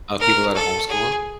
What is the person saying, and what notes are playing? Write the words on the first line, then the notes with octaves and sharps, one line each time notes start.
Of people that are homeschooling?
A#4
A4
G#4